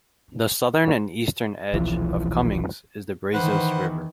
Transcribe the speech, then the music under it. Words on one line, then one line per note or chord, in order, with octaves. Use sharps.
The southern and eastern edge of Cumings is the Brazos River.
D#1 B1 E3 F3
D#3 E3 B4 C5 F#5